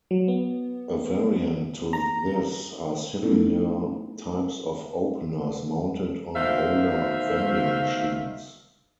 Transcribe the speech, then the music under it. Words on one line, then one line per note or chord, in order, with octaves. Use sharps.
A variant to this are similar types of openers mounted on older vending machines.
F#3
B3
A#5
A3 B3 C#4 D#4 E4 A4
D2 B2 D#3 C5 E5 F5